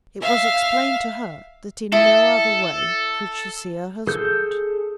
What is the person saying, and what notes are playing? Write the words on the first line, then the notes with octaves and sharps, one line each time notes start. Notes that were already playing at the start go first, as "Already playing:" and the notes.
It was explained to her that in no other way could she see her husband.
E5 F5
E4 A4 D#6
G#4 A4 G6